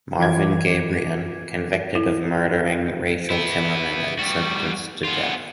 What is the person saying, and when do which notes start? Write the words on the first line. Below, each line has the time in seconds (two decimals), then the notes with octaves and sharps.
Marvin Gabrion - Convicted of murdering Rachel Timmerman and sentenced to death.
0.18 E3 F4 D6 G#6
1.95 E4
3.31 B3 E4
4.19 G3 F#4
5.05 B3 F4